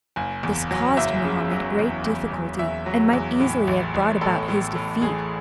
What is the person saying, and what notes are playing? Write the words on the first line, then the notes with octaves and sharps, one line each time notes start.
This caused Mohammed great difficulty and might easily have brought about his defeat.
F#1 G#5
E2
F#3
F#1 E5
C#3
F#3
E2
E2
E2
E2 E5
F#3
E2
A2
A1
A1
A2 A4
A2
A2
A1 G#4